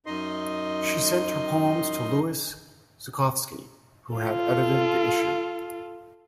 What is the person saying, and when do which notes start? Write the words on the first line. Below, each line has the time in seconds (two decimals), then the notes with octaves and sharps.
She sent her poems to Louis Zukofsky, who had edited the issue.
0.06 F#2 D#4 D#5 C6
4.14 F4 A4